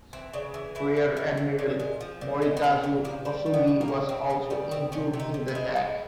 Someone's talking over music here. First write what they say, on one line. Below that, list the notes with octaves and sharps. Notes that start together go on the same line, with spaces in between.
Rear Admiral Morikazu Osugi was also injured in the attack.
E3 C4
C#3 D4
E3
C#3 E4
E3
E3
E3
A#2
G#3
F3
A#2
G#3 F4
B3
A#2 C4
A#2 C#4
F3 A#3
G3 A#3
G3
B3
B2
A#3
B2
B2 C4
B2 B3
G3 B3
B2 C4
C3 C#4
C3
D#4
C3
E4
G#3
G#3